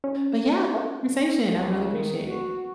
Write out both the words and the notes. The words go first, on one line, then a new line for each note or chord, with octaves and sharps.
But, yeah, gr conversation. I really appreciate it.
C#4
C#2
D#3
F#4